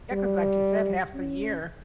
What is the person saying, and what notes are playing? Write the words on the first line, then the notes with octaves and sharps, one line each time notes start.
Yeah, 'cause like you said, half the year,
G3
C#4